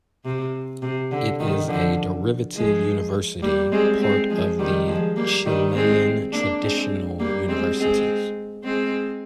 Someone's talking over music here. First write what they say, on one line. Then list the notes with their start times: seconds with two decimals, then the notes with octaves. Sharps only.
It is a derivative university part of the Chilean Traditional Universities.
0.24 C3
0.82 C3
1.11 D3
1.40 D#3
1.68 D3 F3
2.56 F3 G#3
3.42 G3 A#3
3.72 G#3 C4
4.00 G#3 C4
4.30 F3 G#3
4.59 D#3 G3
4.87 F3 G#3
5.16 G3 A#3
5.45 D#3 G3
5.74 G#3 C4
6.32 A#3 D4
6.61 G#3 C4
7.19 G3 A#3
7.48 G#3 C4
7.78 G#3 C4
8.64 G#3 C4